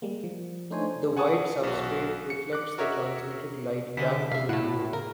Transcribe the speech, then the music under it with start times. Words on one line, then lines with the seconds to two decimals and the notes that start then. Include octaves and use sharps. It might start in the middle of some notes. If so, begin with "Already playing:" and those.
The white substrate reflects the transmitted light back to the viewer.
0.02 G3 G#3 A#3
0.24 F3
0.70 A3 D4 D#4 C5 C#5 G#5
1.17 F#5 G#5 A5 C#6 D#6
1.63 B1 F#4
2.30 C#7
2.53 D6 F#6
2.78 F#4 A#4 C#5 D#5 E5
3.97 D3 E3 G#3 B6
4.32 C3 E5 F5
4.49 A2 A3 E4 F#5
4.93 C#3 A#4